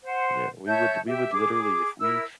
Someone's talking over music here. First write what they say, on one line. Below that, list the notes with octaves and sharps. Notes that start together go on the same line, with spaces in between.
Yeah, we would we would literally if we
C5 F#5
C#5 E5 A5 G6
G4 E5
G#4 D6
E4 A#4 E6